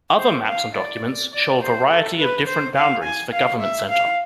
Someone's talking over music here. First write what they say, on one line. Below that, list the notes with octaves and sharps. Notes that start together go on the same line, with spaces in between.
Other maps and documents show a variety of different boundaries for Government Center.
C5
F5
D5
D5
C5
A4
B4
C5
F5
G#5
F5
E5
F5